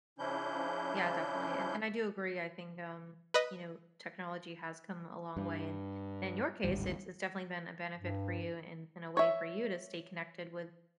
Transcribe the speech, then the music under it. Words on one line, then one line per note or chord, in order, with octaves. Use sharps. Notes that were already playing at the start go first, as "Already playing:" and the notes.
Yeah, definitely, and and I do agree I think, um, you know, technology has come a long way, and in your case, it's it's definitely been a benefit for you in in a way for you to stay connected with,
C#3 F3 C#4 D4 E4 G6
B4 D#5
G2
D1 G#1 G3
G2
C#5 E5